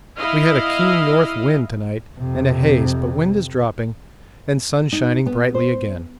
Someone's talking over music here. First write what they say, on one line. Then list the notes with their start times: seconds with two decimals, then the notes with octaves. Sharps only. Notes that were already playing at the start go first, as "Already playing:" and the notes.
We had a keen north wind to-night and a haze, but wind is dropping and sun shining brightly again.
0.18 E4 D#5 F5
2.19 F2 C3
4.93 D#4
5.26 B3
5.55 C5